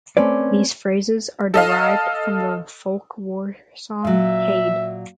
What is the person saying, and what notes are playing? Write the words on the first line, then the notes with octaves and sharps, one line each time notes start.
These phrases are derived from the folk war song Hade!!
A3 C4 C#4 B4 D5
A4 D#5 F5
A#2 F#3 E5